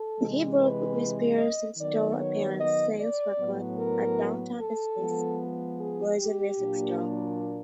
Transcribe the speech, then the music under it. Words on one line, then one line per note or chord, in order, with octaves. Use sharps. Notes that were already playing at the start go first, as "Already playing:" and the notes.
He broke Britney Spears' in-store-appearance sales record at Downtown Disney's Virgin music store.
Already playing: A4
C3 E3 G#3
B4
D#5
D#3 F#3 B3 D5
C#5
D#5
D5
A2 F#3 B3
A#4
A4
F3 G#3 B3
G#4
G4
A#2 F#3 A#3 D4